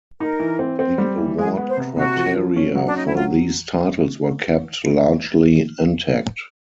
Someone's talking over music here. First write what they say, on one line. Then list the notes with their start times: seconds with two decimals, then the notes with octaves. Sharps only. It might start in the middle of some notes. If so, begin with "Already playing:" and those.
The award criteria for these titles were kept largely intact.
0.20 D#4 A#4
0.40 E3
0.59 C4
0.79 C4
0.98 G3
1.18 E3
1.38 G#3 G#4
1.57 B3
1.67 C5
1.77 C3
1.96 C3 F#4
2.17 F3
2.36 F3
2.56 C#4
2.75 F#3
2.86 D4
2.95 C#4 D#4
3.05 E4
3.15 F#3 F4